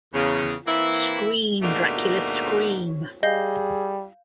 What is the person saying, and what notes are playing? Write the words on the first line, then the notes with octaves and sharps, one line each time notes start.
Scream, Dracula, Scream!
E2 C#3
E3 A#3 C4 E4
D#2 G#2 B2 A3 A#3 D4
G3 G#4 D#5 F5 G6